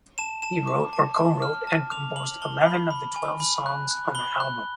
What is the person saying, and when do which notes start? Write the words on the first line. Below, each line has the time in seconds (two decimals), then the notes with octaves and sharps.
He wrote or co-wrote and composed eleven of the twelve songs on the album.
0.18 A5 E7
0.42 A5 E7
0.67 D6
0.93 A5
1.17 A5
1.42 F6
1.67 A5
1.92 D6 F7
2.16 D6 F#7
2.42 A5 G7
2.66 B5
2.90 B5
3.16 G#5
3.40 B5
3.66 F#6
3.91 F#6
4.15 B5 G7
4.40 F#6